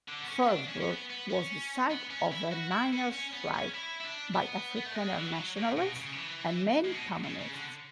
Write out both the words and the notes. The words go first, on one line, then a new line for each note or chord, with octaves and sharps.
Fordsburg was the site of a miners strike by Afrikaner nationalists and many Communists.
D3
B3
C#4
C#4
D4
C#4
C#4
B3
B3
C#4
B3
C#4
E4
F#4
E4
C#4
C#4
B3
C#4
E4
E4
D4
B3
B3
A3
G#3
E3
F#3
A2
B2
C#3
D3
E3
A2
B2
C#3
C#3
D3